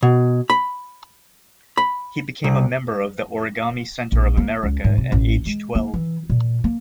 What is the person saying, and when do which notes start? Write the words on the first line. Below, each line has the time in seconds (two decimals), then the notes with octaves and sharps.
He became a member of the Origami Center of America at age twelve.
0.02 B2
0.50 B5
1.77 B5
2.44 C2
4.12 A#1
4.37 A#3
4.63 C#2
4.84 G#2
4.98 C3
5.12 A1
5.46 G#3
5.75 A#3
5.94 E3
6.30 A#2
6.64 A#3